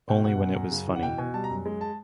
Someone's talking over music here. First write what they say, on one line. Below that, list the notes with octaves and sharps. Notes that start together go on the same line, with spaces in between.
Only when it was "funny"!
B2 G5
B2 F#5
F#2
F#2
C#3
E3
F#5
B2 G5
B2 G#5
G3 A5
A#5
F#2
G#3
A5